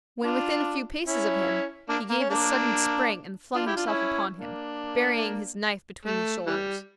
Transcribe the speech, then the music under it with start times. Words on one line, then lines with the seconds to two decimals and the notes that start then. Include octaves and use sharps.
When within a few paces of him he gave a sudden spring and flung himself upon him, burying his knife between his shoulders.
0.23 D4 F4
1.06 C#4 E4
1.89 A#3 D4
2.10 A#3
2.20 C#4
2.31 A#3 D4
3.55 D4 F4
3.66 E4 G4
3.76 D4 F4
3.86 C#4 E4
4.39 A#3 D4
6.06 A3
6.47 E3 G3